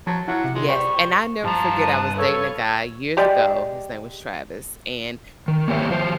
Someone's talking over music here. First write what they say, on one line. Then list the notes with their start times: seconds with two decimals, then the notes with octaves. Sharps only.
Yes, and I will never forget, I was dating a guy, years ago, his name was Travis, and,
0.07 F3 F#3 A5
0.28 F#3 E4 F4 F#5
0.44 C3
0.55 G#3 F4
0.69 G3 B4 C5 G5 C#6
0.96 F3
1.44 G2 F3 A5 A#5
1.79 C5 D#6 F#6
2.18 A4 B4 C#5 F5 C#6
3.17 G#3 G4 D5 D#5
5.48 D#3
5.68 A#3 C4 G4 C#5 E5
5.90 D#3 F3 F4 C5